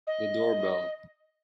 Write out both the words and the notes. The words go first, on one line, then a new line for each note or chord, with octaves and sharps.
The door bell.
D#5